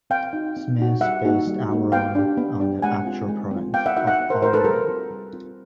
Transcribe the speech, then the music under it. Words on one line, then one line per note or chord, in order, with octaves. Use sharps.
Smith based Averoigne on the actual province of Auvergne.
C4 F5 G5
D#4 F#4
C4
D#4 F#4
G3 E5 F#5
A#3 D#4 F#4
G3
A#3 D#4 F#4
B3 F5 G5
D4 G4
B3
D4 G4
G#3 F#5 G#5
C4 F4
G#3
C4
F4
B3 F5 G5
E5 F#5
D#4 F#4 E5 F#5
E5 F#5
B3
A#4 C5
D#4 F#4 A#4 C5
A4 B4
G3 G#4 A#4
C4 F4
G3
C4 F4